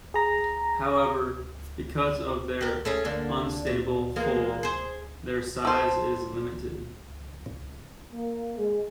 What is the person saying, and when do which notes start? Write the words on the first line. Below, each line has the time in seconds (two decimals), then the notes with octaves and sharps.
However, because of their unstable hull, their size is limited.
0.14 G#4 A#5
2.61 G4 A#4
2.85 A3 C#4 G#4
3.05 D3 A#3 D4
3.67 A#2
4.16 E3 G#3 A#3
4.63 G#4 C5
5.65 A4 C5
8.13 A#3
8.57 G#3